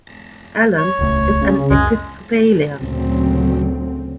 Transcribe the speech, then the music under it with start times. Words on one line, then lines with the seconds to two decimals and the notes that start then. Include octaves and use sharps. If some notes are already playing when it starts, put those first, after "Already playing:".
Allen is an Episcopalian.
0.78 C#5
0.99 D#1 C#2 A3
1.41 C#3
1.71 C#2 F#2 G#3
2.78 D2 A#2 C#3 F#3 C4